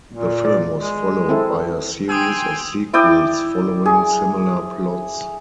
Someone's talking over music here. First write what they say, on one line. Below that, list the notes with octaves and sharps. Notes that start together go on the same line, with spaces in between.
The film was followed by a series of sequels following similar plots.
A#2
D5
G#3
C4 E4 A4
G5 G#5 C6 D#6 E6
E4 D5 G5 D#6
G#4